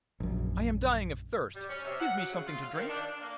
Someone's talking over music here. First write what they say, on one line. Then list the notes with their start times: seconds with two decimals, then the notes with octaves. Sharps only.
'I am dying of thirst; give me something to drink.'
0.20 A#1 F#2
1.55 G3
1.69 C#4
1.84 C3
2.00 F#5
2.16 F#3
2.30 C#3
2.47 F4
2.62 F5
2.75 D#3
2.89 D4
3.01 D4
3.21 A#3